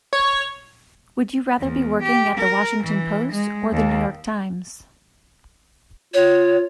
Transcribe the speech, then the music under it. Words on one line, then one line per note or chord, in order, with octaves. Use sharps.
Would you rather be working at "The Washington Post" or "The New York Times"?
C#5
E2
G4
A#4
E3
G#3
D#2
F4 C#5